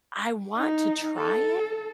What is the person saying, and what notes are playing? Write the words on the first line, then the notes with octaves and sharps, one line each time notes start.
I want to try it,
D#4
A4